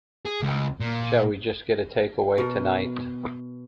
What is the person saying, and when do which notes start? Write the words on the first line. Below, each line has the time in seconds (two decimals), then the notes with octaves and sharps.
Shall we just get a takeaway tonight?
0.26 G#4
0.42 C#2
0.80 A#2
2.38 B2 A#4